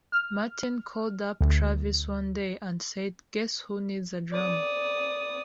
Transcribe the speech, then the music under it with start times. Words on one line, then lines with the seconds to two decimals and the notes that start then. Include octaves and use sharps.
Martin called up Travis one day and said Guess who needs a drummer?
0.12 F6
1.41 D2
4.32 D5 D#6